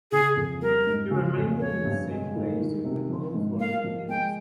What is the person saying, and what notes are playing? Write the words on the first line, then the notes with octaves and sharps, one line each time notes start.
He remained in the same place during the whole fourteen years.
C#3 G#4
F2
G3 A#4
G#2
C#3
F2
F3 C#5
G2
G#3
D#3
D#3
C3
F3
G#2
A#3 F5
F3
G#3 G5